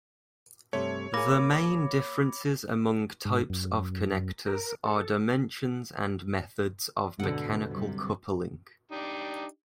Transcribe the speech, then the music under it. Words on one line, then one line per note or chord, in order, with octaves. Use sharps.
The main differences among types of connectors are dimensions and methods of mechanical coupling.
G2 C3 A3 C#5
A#3 G#4 B5 D6 A#6
G#2
F#2
A#4
A4
D2 G#2 B2 D3 F#5
F#2 C3 G3
D4 D#4 G4